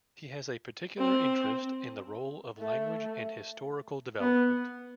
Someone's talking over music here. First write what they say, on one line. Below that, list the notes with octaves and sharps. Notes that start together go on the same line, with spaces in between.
He has a particular interest in the role of language in historical development.
C4
A3
B3